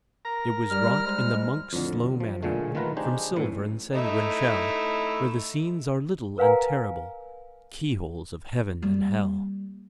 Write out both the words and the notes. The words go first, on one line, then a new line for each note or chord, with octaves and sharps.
It was wrought in the monk's slow manner, From silver and sanguine shell, Where the scenes are little and terrible, Keyholes of heaven and hell.
A#4 A#5
G3 F6
G#2 G3 G#3
F2 A2 D3
F3
B1 A#2 D3 G#3 A3
D#3 A3 F4 B4 F#5 A#5
D4 D#4 G4 G#4 C5
F#2 A2 E3
A3 D#4 E4
A#4 B4 F5 F#5 G#5 A#5
G3 A#3